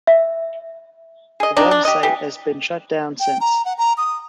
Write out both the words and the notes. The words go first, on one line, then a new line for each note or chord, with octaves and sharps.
The website has been shutdown since.
E5
G#4 D#5
C3 D4 D#4
D4
G4 D#5
E3 G4
G5
A#5
F#5
A#5
D#6